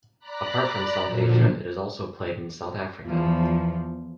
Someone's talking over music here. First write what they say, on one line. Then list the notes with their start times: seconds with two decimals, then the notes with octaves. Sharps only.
Apart from South Asia, it is also played in South Africa.
0.19 D5 A#5 B5 F#6
1.04 A#2 D3 F3 F#3
3.06 E2 F3